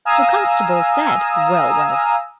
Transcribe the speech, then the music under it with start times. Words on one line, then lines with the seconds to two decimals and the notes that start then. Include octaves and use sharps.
The constable said 'Well!
0.05 F5 G#5 A#5 D#6 E6